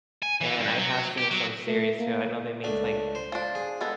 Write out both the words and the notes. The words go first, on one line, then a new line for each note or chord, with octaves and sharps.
And I have seen some series too. I know they make like
G#5
E3
G2
F#3
G4
F#3
A3
A#3
C#2 A3 D4
C5
F3 D4
G#4
G#3 B3 A4